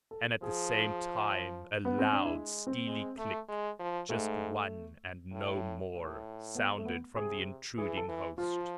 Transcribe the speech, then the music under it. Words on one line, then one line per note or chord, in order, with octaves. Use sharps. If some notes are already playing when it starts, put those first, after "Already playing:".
And at the same time a loud, steely click, just one and no more, sounded from the intruding host.
A4
F3 G#4
B3
C4
D4
G#3 E4
C4
G#3
A3
G#3
F3
G#2 A3
A2
A2
B3
A3
B3
C3 G#4
E3 G#4
A4
E3
F3 F4